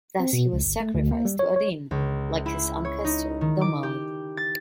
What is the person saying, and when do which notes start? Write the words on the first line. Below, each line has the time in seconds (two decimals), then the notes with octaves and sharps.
Thus he was sacrificed to Odin, like his ancestor Domalde.
0.20 C4
0.33 B2
0.53 C#2
0.65 G1
0.80 A3
0.95 D2
1.11 A#3
1.25 G3
1.39 C#5
1.56 C#5
1.91 C#2
2.46 E4
2.85 C#5
3.04 D#4
3.41 D#3
3.61 D6
3.83 G4
4.37 A6